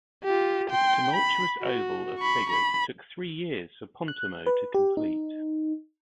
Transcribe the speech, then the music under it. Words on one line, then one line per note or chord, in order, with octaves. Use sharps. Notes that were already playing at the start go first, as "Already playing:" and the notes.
This tumultuous oval of figures took three years for Pontormo to complete.
F4 G4
G5 C6
B5
F#4
B5 C#6
B5
F#6
B4
G4
D#4